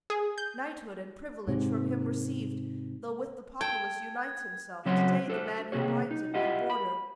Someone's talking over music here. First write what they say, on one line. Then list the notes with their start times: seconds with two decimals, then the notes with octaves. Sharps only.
Knighthood and privilege from him received; Though with the populace unites himself To-day the man who binds it with a border.
0.10 G#4
0.38 G6
1.48 G#2 C3
3.61 A4 G5 G#6
4.85 C#3 F#3 C4 C#5 F#5 C6
5.28 D4 A4 C5
5.72 C3 A#3 G#4 C#5
6.11 D#4
6.34 E4 F4 G4 D#5 F5 F#5
6.70 B5